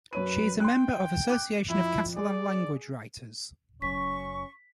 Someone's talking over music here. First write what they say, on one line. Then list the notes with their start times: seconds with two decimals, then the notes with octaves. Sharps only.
She is a member of Association of Catalan-Language Writers.
0.13 F#2 B4 C#5 D#7
0.60 G5 C6 F#6
1.30 D6 F#6
1.69 F2 E4
2.16 G#4 D5
3.82 F#1 F#2 C#4 C#6 B6